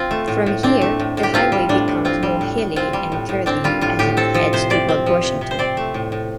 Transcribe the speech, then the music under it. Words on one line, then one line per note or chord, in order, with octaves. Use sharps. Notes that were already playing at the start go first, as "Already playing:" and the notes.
From here, the highway becomes more hilly and curvy as it heads toward Washington.
Already playing: C4 F4
A3
A2
A2
C4 D4
A3
A2
A2
G4
C4 F4
G3
A2 D4
A2
C4 F4
G3
A2
A2
C4 F4
G3
A2
A2
C4 D4
G3 F4
A2 F4
A2 G4
C4 A4
F3 A4
C3 C5
C3 D5
C4
F3
C3
C3
C5
C4 D5
A3
A2
A2